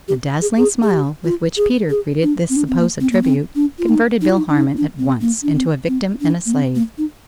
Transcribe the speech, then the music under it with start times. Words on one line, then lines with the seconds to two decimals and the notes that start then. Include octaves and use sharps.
The dazzling smile with which Peter greeted this supposed tribute converted Bill Harmon at once into a victim and slave.
0.08 G4
0.42 G#4
0.57 G#4
0.83 G#4
0.91 G4
1.24 F4
1.57 G#4
1.90 G#4
2.23 D4
2.50 C4
2.56 D4
2.68 C4
2.78 A#3
3.01 C4
3.12 A#3
3.23 C4
3.55 D4
3.79 F4
3.89 D#4
4.21 D#4
4.29 F4
4.37 D#4
4.48 D4
4.55 D#4
4.77 D4
4.99 C4
5.21 A#3
5.43 D4
5.55 C4
5.88 C4
6.21 D4
6.46 A#3
6.54 C4
6.75 A#3
6.98 D#4